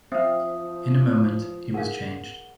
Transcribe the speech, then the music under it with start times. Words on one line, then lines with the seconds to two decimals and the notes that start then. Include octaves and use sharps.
In a moment he was changed.
0.12 F3 C4 E5 F5 D#6
1.74 G#4 A#4 F5 F#5